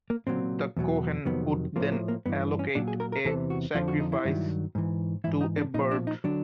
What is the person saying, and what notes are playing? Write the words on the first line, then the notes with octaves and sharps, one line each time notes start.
The Kohen would then allocate a sacrifice to a bird.
A#3
A#2 F#3 C4
E2 B2 F#3
F2 C3 D#3 F#3 B3
A2 F3 A#3
A#3
A#3
G2 E3 B3
C#4
A#2 F#3 D4
G#4
A#4
A#4
E2 C3 E3 A4
F#4
F2 D3 F3 F4
F#4
D#4
E4
G2 D#3 F#3
G#2 E3
G#2 E3 E4
D#4
D4
A#2 F3 D#4
D4
D#4
D3 F#3 D4